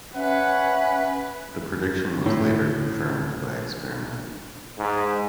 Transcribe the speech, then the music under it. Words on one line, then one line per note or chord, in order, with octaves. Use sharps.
The prediction was later confirmed by experiment.
C#4 B4 E5 F#5
A2
G#2